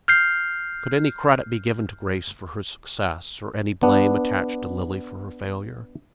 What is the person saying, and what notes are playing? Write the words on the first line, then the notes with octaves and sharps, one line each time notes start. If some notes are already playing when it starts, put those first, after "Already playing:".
Could any credit be given to Grace for her success, or any blame attached to Lily for her failure?
F6 G6 C7
B3 D4